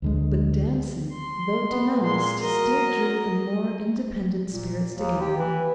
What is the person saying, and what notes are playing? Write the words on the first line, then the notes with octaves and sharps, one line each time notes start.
But dancing, though denounced, still drew the more independent spirits together.
D2 D3 G#3
C6
B3
A#2 G#3 C6
F#3 A#4 D#5
A#2
D#2
G4
E3